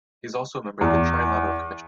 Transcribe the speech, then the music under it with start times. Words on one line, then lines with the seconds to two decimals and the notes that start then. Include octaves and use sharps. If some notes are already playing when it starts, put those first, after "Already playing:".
He is also a member of the Trilateral Commission.
0.81 E2